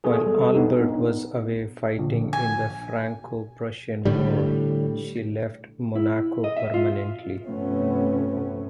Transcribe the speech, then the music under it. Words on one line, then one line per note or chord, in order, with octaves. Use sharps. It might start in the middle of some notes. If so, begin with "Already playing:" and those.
While Albert was away fighting in the Franco-Prussian war, she left Monaco permanently.
B3 G#4 A4
G3 A4
B3 D4 D#4
A#1 D3
G#5
A2 D3 G3
E4
D#5
E5
F4
G2 C3 F3 A3 B3 C#4